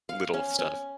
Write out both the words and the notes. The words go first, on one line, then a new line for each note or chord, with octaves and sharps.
little stuff.
F5
C#4
C#4